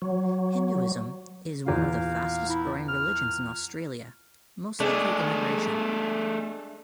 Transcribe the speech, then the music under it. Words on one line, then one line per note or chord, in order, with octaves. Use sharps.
Hinduism is one of the fastest growing religions in Australia mostly through immigration.
F#3
E2 A#2 F5
E4
F6
G#3 A3 D4 G#4